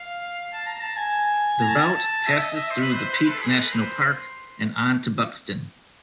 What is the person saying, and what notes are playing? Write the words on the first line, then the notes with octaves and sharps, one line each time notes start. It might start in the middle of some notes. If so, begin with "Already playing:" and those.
The route passes through the Peak National Park and on to Buxton.
Already playing: F5
A5
A#5
A5
G#5
A#5
A5
A5
E5
D#5
E5
C5
B4
C5
C5
B4
A4
G4
G#4
A#4
B4
C5